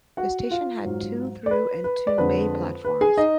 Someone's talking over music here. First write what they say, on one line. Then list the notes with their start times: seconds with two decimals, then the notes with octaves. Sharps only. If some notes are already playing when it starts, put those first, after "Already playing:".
The station had two through and two bay platforms.
0.17 F#4 F#5
0.51 F4 F5
0.85 G#2 F#3
1.46 D5
1.51 B4
1.84 B4
2.07 D5
2.18 F2 D3 G#3 B4
2.85 B4
3.01 G#4 G#5
3.17 D#4 D#5